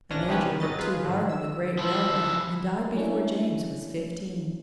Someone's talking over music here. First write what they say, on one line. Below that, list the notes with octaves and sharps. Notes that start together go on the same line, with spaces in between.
The major worked too hard on the great railway and died before James was fifteen.
A#1 C#4 D4 A#6
C3 D#3 G3 B3 C#4 B4
G#1 F#3 D#5 A6
F4 G#4 B4
G#2 D3
E6
F3 E4
F#3 A3 A#3 C#4 D4 E4